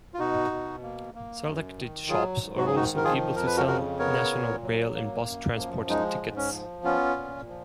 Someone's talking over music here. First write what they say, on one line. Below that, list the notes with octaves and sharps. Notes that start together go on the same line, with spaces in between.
Selected shops are also able to sell national rail and bus transport tickets.
F4
B2 D#4 F#4
B2
A#3
A#3
F#2
D#3
F#3 F4 G#4
G#2
F#4
G#4
D#3 D#4 F#4
A#4
F3 F4 G#4
F2 A#4
B4
F#4 A#4
C#3 F#4 A#4
B3 A#4 C#5
A#2
F#3
A#3
F#2
F3
G#3 D#4
G#2
C#4
F3
B3 C#4 F4
A#2
F3